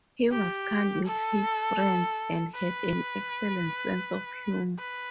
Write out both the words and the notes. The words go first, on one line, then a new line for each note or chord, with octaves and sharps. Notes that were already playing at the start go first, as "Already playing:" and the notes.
He was kind with his friends and had an excellent sense of humour.
G4
A4
B4
B4